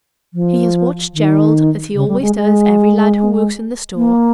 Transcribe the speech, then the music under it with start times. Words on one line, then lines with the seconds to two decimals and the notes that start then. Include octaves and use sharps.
He has watched Gerald, as he always does every lad who works in the store.
0.34 F3
1.14 D#3
1.95 C#3
2.08 G3
2.22 G#3
2.35 G#3
3.96 A#3